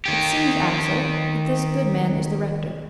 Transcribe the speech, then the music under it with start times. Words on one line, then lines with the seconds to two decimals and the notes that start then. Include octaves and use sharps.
"It seems, Axel, that this good man is the rector."
0.06 D#3 G4